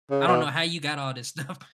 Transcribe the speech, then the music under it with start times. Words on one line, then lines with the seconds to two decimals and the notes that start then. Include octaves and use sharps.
I don't know how you got all this stuff
0.11 C#3
0.28 B2